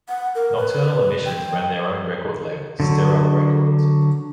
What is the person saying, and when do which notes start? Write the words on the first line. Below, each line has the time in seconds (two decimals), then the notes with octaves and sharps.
Nocturnal Emissions ran their own record label, Sterile Records.
0.09 F#5
0.35 A#4
0.57 B4
1.25 G5
2.80 D3 F#3